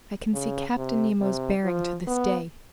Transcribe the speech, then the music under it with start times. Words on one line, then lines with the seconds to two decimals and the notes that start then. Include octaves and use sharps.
I can see Captain Nemo's bearing to this day.
0.34 C#3
0.77 C3
1.21 C3
1.64 F3
2.07 B3